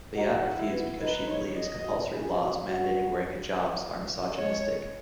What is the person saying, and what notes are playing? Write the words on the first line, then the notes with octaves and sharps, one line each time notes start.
Bayat refused because she believes compulsory laws mandating wearing hijabs are misogynistic.
D#4 F#4
E4
B3
D#4 B4
C#5
D#5
F#4
G#4
F#4
F#4
G#3 C#5